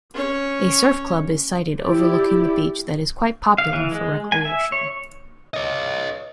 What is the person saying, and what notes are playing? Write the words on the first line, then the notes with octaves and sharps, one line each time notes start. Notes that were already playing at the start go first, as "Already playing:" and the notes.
A surf club is sited overlooking the beach that is quite popular for recreation.
C#4 C#5
E4 G4 D5
F5
E3
G#3
G#5
E5
C#5
C#5 D#5